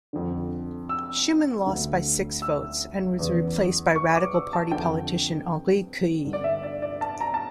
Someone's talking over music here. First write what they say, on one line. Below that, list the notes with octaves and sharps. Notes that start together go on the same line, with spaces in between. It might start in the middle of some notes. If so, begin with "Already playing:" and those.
Schuman lost by six votes and was replaced by Radical Party politician Henri Queuille.
F2 D3
E6
D2 D3
E6
E2 C#3 E3
C#6
D6
E6
A5
F2 D3 G5
G2 D3
D5
E5
D5
D5
A5
A#5
A5